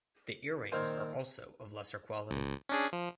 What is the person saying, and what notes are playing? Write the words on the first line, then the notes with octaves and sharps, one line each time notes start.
The earrings are also of lesser quality.
A#2 D#3 C4 C5 F6 G#6
C#2
C#4 D4 G#4
F3